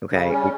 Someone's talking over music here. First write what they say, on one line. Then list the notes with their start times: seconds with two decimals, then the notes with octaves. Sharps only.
okay? Y
0.10 C#3
0.29 G3 C#4